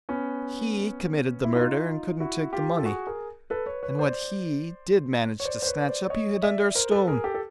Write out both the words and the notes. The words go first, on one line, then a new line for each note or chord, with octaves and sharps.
He committed the murder and couldn't take the money, and what he did manage to snatch up he hid under a stone.
B3 C#4
E4
D#4 F4
E4 F#4
F4 G4
A4
F#4 G#4
G#4 A#4
A4 B4
B4 C#5
B4 C#5
C5 D5
C#5
C5 D5
C5
B4 C#5
C5 D5
C#5 D#5
D5 E5
A#4 C5
A4 B4
G#4 A#4
G4 A4
A4